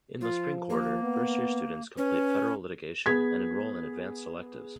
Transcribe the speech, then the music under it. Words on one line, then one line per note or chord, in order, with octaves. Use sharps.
In the spring quarter, first-year students complete Federal Litigation and enroll in advanced electives.
F3 F4
A#3
B3
C#4 B4
B3 G#4 G#6 B6